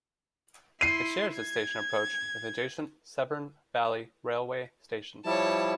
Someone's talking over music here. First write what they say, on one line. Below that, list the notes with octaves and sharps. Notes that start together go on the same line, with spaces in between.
It shares its station approach with the adjacent Severn Valley Railway station.
E4 C6 C7 D#7
G#6
F3 G3 E4 C#5 A5